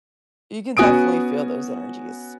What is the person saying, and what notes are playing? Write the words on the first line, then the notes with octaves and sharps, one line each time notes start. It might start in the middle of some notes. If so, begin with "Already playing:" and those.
you can definitely feel those energies.
B3 C#4 F#4 G#5 D#6 D7